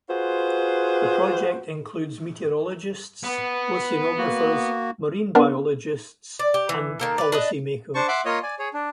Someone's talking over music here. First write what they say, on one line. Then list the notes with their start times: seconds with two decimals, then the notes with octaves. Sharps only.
The project includes meteorologists, oceanographers, marine biologists, and policy-makers.
0.10 F4 F#4 G#4 B4 C5
3.23 B3
4.18 A#3 F#4
5.35 B3 D4 A#4
6.39 D5
6.54 G4
6.69 E3
6.99 D#3 A#3 A4
7.18 B4 D5
7.32 D4 B4 D#5
7.95 D4 C5 A5 C#6
8.08 E5 F#5 C6 D6
8.25 A#3 F4 C#5 D#5 D#6
8.43 D5 G#5
8.59 G#4 C#5
8.74 D4